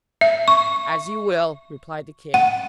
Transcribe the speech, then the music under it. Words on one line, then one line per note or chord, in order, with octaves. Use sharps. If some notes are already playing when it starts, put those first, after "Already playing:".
'As you will,' replied the king.
E5
C#6
F#5